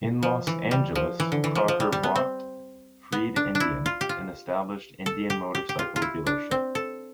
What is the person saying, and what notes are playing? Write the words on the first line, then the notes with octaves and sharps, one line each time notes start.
In Los Angeles, Crocker bought Freed Indian, an established Indian Motorcycle dealership.
F3
E3
G3
F3
E3
D3
E3
F3
F3
G3
G3
B3
C4
B3
D4
D4
E4
F4
G4
F4
A4
G4
G4
G4
F4
F4
E4
D4
C4
A4